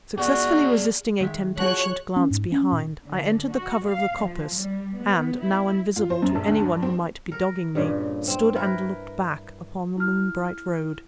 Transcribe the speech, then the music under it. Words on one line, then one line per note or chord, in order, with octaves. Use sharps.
Successfully resisting a temptation to glance behind, I entered the cover of the coppice, and, now invisible to any one who might be dogging me, stood and looked back upon the moon-bright road.
F#4 G#4 D5
D#3 G#3 E5
F3 F#4 G#4 C#5 F#6
C#4
G#2
C#4
A#2
D3
F#4
F5
F3
G3
B3
E4
F4
C5
F#2
A#1
D2
G2
C4
A#4
G2 A#2 C#3
C4
E4 A#4 B4
E4 F6